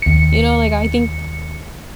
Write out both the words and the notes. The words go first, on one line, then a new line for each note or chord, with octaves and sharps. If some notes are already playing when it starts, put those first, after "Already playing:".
you know, like, I think,
D#2 C#7